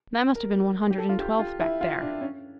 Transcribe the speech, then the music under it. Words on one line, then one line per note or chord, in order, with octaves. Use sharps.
That must have been One Hundred and Twelfth back there.
A#4
G4
A4
F4
G4
F4
E4
F4
D4
C#4